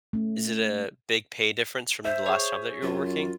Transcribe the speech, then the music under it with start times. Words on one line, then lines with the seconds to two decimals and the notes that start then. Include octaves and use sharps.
Is it a big pay difference from the last job that you were working?
0.13 A3 C#4
2.05 C5 E5
2.26 G#4 C#5
2.83 F#2 F4